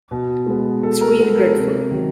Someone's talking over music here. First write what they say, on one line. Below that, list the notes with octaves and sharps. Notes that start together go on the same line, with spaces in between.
It's really dreadful!
B2
G#3 B3
B2 A4
A#4
G#3 B3 A4
A#4
C3
D#3 F#3